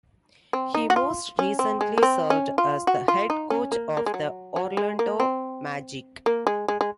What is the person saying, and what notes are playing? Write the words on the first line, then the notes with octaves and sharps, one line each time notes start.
He most recently served as the head coach of the Orlando Magic.
C4
D#4
F#4
F4
C#4
C4
G#3
A#3
C4
C#4
F4
F#4
F4
D#4
C#4
A#3
A#3
G#3
F#3
F#3
G#3
A#3
C4
A#3
G#3
G#3
G#3